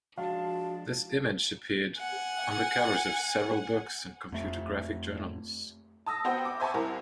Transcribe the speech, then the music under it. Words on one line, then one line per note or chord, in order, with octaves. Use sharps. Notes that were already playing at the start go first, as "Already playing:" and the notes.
This image appeared on the covers of several books and computer graphic journals.
F3 G#3 D4 F#4 F5 A5
F#5 G#5
F2 A3
A5 D#6 E6 A#6
B3 F#4 C5 F#5 G5
D6 E6
C5 E5 G#5 A5 B5 C#6
C2 E4 A#4 C5